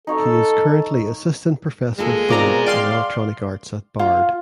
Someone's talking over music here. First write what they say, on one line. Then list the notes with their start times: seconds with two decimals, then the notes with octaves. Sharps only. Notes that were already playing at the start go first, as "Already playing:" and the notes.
He is currently Assistant Professor of Film and Electronic Arts at Bard.
0.07 D#4 A4 C#5 F5
1.98 G#3 A#3 F4 A4
2.29 B2 C4 F4 A#4 D5 A#5
2.66 D5 F5 G5 C6
3.99 F4